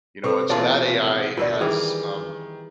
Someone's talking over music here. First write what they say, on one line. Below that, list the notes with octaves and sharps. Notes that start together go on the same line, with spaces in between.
you know? And so, that AI has, um
C3 C4 A4 B4 C#6
B2 E3 F4 C#5 D5 A5
B3
D2 B2 F4 A#4 B4 D5
D#3 E3 G3 G#4